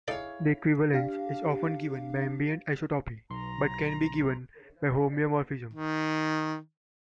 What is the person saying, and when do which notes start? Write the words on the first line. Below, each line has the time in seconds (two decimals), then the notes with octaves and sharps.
The equivalence is often given by ambient isotopy but can be given by homeomorphism.
0.08 D#4 E4 G#4 A4 C#5 D5 F5
0.93 D4 G4 F5
3.30 B1 A#5 C6
5.73 D#3